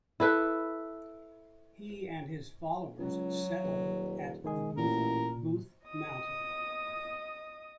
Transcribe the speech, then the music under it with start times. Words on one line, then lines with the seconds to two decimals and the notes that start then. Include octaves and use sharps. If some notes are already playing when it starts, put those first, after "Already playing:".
He and his followers settled at the Butha-Buthe Mountain.
0.20 E4 A4 B4
2.99 C#2 F#3
3.63 D#1
4.44 D#3 G#3 G#4
4.77 A1 A#2 A#4
5.87 D#5 D#6